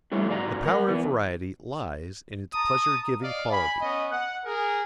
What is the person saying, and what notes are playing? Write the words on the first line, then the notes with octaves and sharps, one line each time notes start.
The power of variety lies in its pleasure-giving quality.
F#3 G3 A3 E4 G#4 C#5
G#2 F#4 D5 F5 G#5 A#5
A#4 F#5
E2 E3 B3
A5 A#5 D#6
D5 D#5 F5
G#5 B5
B3 C#4 D#5
F#5
G#4 A#4